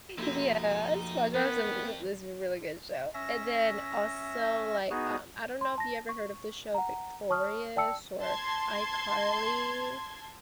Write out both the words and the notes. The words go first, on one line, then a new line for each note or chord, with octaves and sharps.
Yeah. SpongeBob's a m is a really good show, and then also, like, um, I don't know if you ever heard of the show Victorious or iCarly?
F3 A#3 D#4 F#4 G4 A4
F2 B3 C4 A#4
C#4 E5 A#6
B3 D#4 F#4 G#4
C6
A5 A#6
C#6
F#5 A#5
C#5 A5 C#6 D#6 F6
D5 G5 A5 E6 C#7
A5 C6 G#6